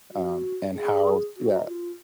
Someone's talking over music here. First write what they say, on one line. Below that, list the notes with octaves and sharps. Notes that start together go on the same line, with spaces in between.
um, and how Yeah,
F#4
G#4
F#4
F4